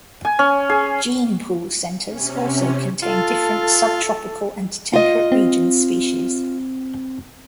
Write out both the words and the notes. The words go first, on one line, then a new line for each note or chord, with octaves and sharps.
Gene pool centres also contain different sub tropical and temperate region species.
G#5
C#4
G#4
C3 C#4
F4 A4
F4 D#5
C4